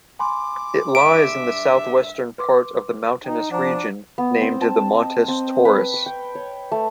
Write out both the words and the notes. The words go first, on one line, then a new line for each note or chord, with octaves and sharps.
It lies in the southwestern part of the mountainous region named the Montes Taurus.
G#5 B5 C6 D6
G2 G3 E5 D7
B4 C6 D6
D#4 G5
F3 D4 F#5 A#5
B3
C4
A5
D#5
C4
B4
C#6
G5
C#5
A3